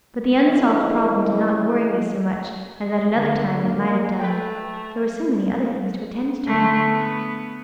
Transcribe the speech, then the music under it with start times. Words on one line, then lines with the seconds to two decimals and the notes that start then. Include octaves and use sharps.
But the unsolved problem did not worry me so much as at another time it might have done, there were so many other things to attend to.
0.44 F2 C#3 E3 A#3 A#4 D#5
3.16 D3
3.63 A#3
4.20 A3 B4 G5
6.47 D3 A3
6.84 B3